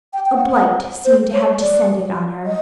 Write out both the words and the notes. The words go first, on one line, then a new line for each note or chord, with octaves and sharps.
A blight seemed to have descended on her.
G5
G5
F#5
F#5
C5
C#5
D5
D#5